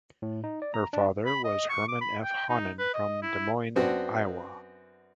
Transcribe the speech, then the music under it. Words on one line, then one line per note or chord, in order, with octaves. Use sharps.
Her father was Herman F. Hahnen from Des Moines, Iowa.
A2
D#4
D5
A#5
D4
B5
D#5
C#6
D6
B5
G5
D#4
B4
D#5
E4
F#2 B3 C4 D4 F#4